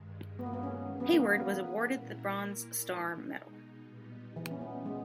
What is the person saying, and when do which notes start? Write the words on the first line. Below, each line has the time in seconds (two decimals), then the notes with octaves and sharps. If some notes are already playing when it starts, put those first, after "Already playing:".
Hayward was awarded the Bronze Star Medal.
Already playing: G2 D#3 G#3
0.39 B3
0.46 A#3
0.53 B3
0.63 C#4
0.89 E3 G3 C#4 G#4 B4
1.00 B3
1.13 A#3
1.25 A#3
1.38 B3
1.87 A#2 A#3 E4 A#4
2.87 B2 G#3 D#4
3.86 A#2 G3 B3 D#4
4.36 E3
4.51 C#4
4.61 B3
4.86 G#3